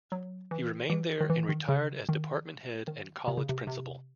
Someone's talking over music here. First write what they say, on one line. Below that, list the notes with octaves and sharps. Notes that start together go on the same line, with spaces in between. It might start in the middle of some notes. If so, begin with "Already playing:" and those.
He remained there and retired as department head and college principal.
F#3
E3
E3
D#3
E3
D#3
C#3
D#3
D#3
C3
C#3
C3
C3